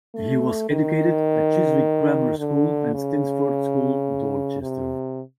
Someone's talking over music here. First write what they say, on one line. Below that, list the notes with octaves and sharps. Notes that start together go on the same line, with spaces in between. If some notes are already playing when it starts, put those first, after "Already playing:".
He was educated at Chiswick Grammar School and Stinsford School, Dorchester.
A3
D#3
D3
C#3
C3